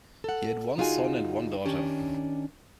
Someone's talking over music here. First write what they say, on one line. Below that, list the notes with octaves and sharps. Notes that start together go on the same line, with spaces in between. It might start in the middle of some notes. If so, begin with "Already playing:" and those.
He had one son and one daughter.
A4 F#5
D2 D#4 F4 F#4 G#4 G#5
D#3 C#4 D4 G4